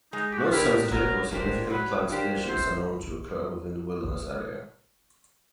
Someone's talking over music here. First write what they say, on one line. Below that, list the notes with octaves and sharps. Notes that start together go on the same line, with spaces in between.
No sensitive or significant plant species are known to occur within the wilderness area.
G#3 D#4
G4
F#4
F4
B3 D4 E4 G4 A#4
F#3 A#4
A#3 D4 G4 C5
F#3 B4
A#3 D4 G4 C5
F#2 C5